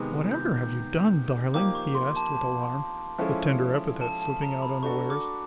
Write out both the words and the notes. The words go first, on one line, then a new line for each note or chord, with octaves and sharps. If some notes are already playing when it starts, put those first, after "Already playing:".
"Whatever have you done, darling?" he asked, with alarm, the tender epithet slipping out unawares.
Already playing: C3 D#3 G#3 B3
G6
F3 A#3 D#4 G4 D6
C#6
C6
A5
A5
F3 G#3 C#4 E4 A4
A5
A5
A#5
B5
A3 D4 F#4 A4 C#6
D6